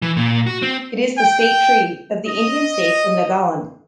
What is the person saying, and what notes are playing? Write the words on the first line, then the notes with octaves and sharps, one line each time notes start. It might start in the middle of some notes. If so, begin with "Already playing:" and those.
It is the state tree of the Indian state of Nagaland.
E3
A#2
F#4
C4
G5
D#5